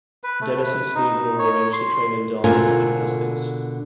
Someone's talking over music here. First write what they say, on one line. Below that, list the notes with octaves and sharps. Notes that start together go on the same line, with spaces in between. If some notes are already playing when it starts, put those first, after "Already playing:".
Dennis and Steven were arranged to train in dancing and gymnastics.
B4
A3
B4
D#4
C#5
C6
B2 D3 C4 F4 A#4 G#5